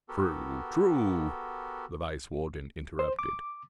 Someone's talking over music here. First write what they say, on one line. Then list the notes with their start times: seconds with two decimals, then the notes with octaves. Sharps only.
"True, true!" the Vice-Warden interrupted.
0.09 B3 F#4 G4 A4 A#4
2.99 C5
3.19 D6